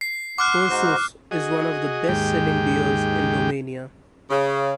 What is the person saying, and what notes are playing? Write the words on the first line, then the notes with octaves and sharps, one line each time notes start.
Ursus is one of the best-selling beers in Romania.
C7
F#5 C6 D6 F6 F#6
G#2 F#4 C5
F#4 G#4 D#5
D#2 G#2 G#3 G4 G5
C#3